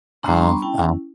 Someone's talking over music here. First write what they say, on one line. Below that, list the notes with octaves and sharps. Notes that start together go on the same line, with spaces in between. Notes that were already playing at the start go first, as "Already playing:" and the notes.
I'll I'll
G3 B3 D4 A#5 C6
A#5 C6
B5 C#6
C#4 E4 G5 A5